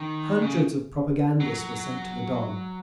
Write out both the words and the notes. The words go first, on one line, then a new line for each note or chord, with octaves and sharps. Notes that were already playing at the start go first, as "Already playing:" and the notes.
Hundreds of propagandists were sent to the Don.
Already playing: D#3
C#3
F#3